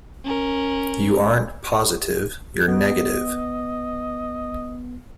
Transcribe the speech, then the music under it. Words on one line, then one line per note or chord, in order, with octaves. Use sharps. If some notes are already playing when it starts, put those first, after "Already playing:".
You aren’t positive, you’re negative.
C#4 A#4
B3 D#5